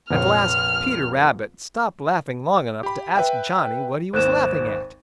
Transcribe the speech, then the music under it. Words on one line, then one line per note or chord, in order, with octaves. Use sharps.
At last Peter Rabbit stopped laughing long enough to ask Johnny what he was laughing at.
F1 A#1 C#5 F6
G4 B5
B4 E5 G5
G#1 D#2 C5 F#6 E7